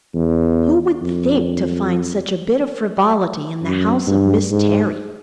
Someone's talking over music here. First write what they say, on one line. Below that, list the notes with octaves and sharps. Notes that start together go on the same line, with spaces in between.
Who would think to find such a bit of frivolity in the house of Miss Terry!
E2
F2
F#2
G2
G#2